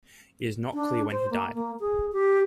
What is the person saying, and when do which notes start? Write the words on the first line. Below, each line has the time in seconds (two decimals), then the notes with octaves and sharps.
It is not clear when he died.
0.74 D4
1.11 C5
1.31 A#3
1.54 A#3
1.80 G#4
2.13 G4